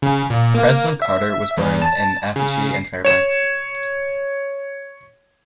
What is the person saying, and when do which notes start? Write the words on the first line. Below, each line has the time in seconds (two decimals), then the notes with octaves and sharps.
President Carter was burned in effigy in Fairbanks.
0.02 C#3
0.30 A#2
0.55 A#3
1.02 E5
1.57 E2
1.82 A5
2.36 C#3
2.72 C7
3.05 C#5 E7